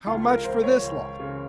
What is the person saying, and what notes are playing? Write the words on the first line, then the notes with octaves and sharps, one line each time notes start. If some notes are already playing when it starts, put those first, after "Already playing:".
How much for this lot?
C#2 F4
A#4
C#2 C5
C#5
C#2
C#3